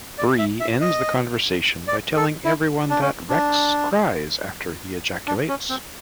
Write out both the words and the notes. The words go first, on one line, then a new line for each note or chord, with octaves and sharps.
Bree ends the conversation by telling everyone that, "Rex cries after he ejaculates".
D5
E5
E5
D#5
D5
A4
E4
D4
C#4
D4
D4
C#4
C4